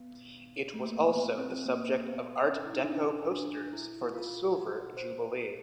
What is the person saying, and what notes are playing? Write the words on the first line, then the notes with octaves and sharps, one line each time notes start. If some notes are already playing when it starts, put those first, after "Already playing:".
It was also the subject of art deco posters for the Silver Jubilee.
Already playing: B3
A3
A#3
B3
C4
A#3
B3
C#4
E4
D#4
D4
C#4
D4
E4
F4
F#4
C5